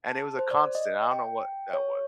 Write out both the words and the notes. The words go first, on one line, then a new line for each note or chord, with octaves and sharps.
And it was a constant, I don't know what that was,
A5
C5
D5
D#5
G5
C#5